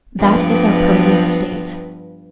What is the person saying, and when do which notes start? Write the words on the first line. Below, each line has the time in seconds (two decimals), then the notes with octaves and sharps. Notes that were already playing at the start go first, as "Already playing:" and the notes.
That is our permanent state.
0.18 G2 F3 B3